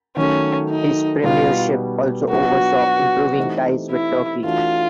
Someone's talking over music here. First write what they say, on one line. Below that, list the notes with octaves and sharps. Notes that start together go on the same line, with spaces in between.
His premiership also oversaw improving ties with Turkey.
D#3 F#3 A3 C#4
D#4
B2 G3 B3 D#4 F4
F#3 B3 D4 F4 F#4
E3 A3 C4 D#4 G4
E4
E3 A3 D4 F4 F#4